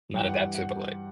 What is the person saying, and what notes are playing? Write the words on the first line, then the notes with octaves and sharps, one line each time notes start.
Not adapt to, but like
G2 E3 G5
F#5
F#5